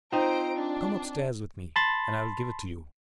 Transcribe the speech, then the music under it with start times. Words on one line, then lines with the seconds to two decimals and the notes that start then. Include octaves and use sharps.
"Come up-stairs with me, and I will give it to you."
0.12 C4 D#4 F4 C5 A#5 D7
0.55 D4
1.76 A5 B5 C6 A6